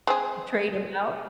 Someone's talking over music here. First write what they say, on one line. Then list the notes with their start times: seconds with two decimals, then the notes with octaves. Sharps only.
Trade 'em out?
0.07 G#3 C4 G#4